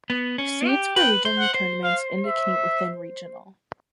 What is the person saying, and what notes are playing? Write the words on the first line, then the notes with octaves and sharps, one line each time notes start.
Seeds for regional tournaments indicate seeds within regional.
B3
C#4
G4
B4 G5
C5
F#5
C5
F5
E5